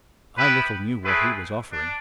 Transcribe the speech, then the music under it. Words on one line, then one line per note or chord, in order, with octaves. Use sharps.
I little knew what he was offering.
B3 E4 G4 B4
A3 C4 E4 G#4 B4
D4